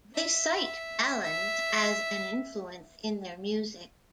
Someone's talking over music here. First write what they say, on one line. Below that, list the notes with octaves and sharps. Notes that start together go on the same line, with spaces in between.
They cite Valens as an influence in their music.
E5
E5